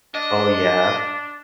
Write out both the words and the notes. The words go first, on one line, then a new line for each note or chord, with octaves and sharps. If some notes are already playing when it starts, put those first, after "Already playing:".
Oh, yeah?
D4 D#5